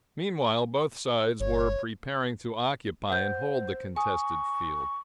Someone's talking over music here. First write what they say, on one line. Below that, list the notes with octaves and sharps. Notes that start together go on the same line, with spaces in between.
Meanwhile, both sides were preparing to occupy and hold the contested field.
G1 C#5
C5 F#5 G6
G#5 C#6 D#6